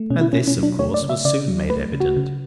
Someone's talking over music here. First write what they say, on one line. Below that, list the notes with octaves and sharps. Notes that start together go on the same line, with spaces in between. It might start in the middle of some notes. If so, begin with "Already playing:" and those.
And this, of course, was soon made evident.
Already playing: A3
B2 C#4
E4
B2 C#4
C#4
F#3
D4
A3 C#5
D5
C#3
E5
C#3 D5
F#3
A3 B4
C#3
F#4
C#3